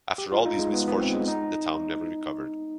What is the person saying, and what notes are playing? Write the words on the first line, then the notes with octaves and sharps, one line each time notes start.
After all these misfortunes, the town never recovered.
G4
F4
D#4
G#3
B3
B3
C4
G#3
D#4